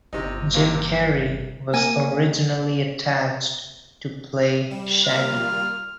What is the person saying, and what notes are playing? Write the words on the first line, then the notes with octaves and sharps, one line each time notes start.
Jim Carrey was originally attached to play Shaggy.
G1 C3 D#4
C3 F3 A#3
A#3 G#5
G3 E7
G3 A#3 F4 F6